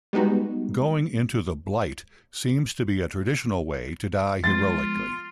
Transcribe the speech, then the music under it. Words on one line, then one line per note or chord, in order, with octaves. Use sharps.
Going into the Blight seems to be a traditional way to die heroically.
G3 G#3 B3 D#4 F#4
F3 G#3 B3 F4 A6